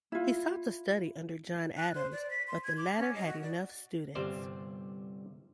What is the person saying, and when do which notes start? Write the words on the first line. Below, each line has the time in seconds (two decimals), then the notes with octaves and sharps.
He sought to study under John Adams, but the latter had enough students.
0.12 E4 F4
1.77 F#6
1.95 C5
2.12 D5
2.30 B6
2.47 C6
2.64 G#6
2.77 D6
2.97 C#4
3.15 D#5
3.27 F#4
3.42 D5
4.15 G1 C3 G3 C5 D5